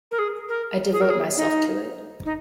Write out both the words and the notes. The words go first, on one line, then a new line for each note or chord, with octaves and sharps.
I devote myself to it.
A#4
G#4
A#4
G#4
A#4
G#4
D#4
D#4